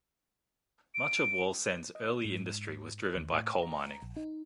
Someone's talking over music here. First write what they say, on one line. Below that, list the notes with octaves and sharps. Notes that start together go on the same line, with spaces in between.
Much of Wallsend's early industry was driven by coal mining.
D7
D#5
G#2
D#2
A2
A#5
A#1
D#4